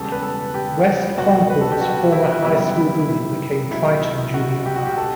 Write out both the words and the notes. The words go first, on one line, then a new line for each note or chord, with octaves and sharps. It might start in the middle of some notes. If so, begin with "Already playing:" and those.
West Concord's former high school building became Triton Junior High.
Already playing: E1 E2 C#3 G3 C#4 A4
B4
A4
G4
C#2 B2 G3 F#4
B4
A4
G4
F#4
E4
F#2 C#3 G3 B3 E4
E4
C#2 B2 F#3 E4
F#4
G4
F#4
G4
B2 A4